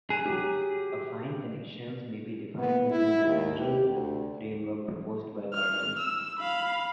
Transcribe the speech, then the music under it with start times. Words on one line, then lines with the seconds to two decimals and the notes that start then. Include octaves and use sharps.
Affine connections may be defined within the general framework proposed by Cartan.
0.10 G#4 F#6 D#7 F7
0.26 F#3 G4
2.59 B3
2.90 E4
3.24 D#2
3.58 G4
3.89 D2
5.53 F6
5.99 E6
6.39 F5 B5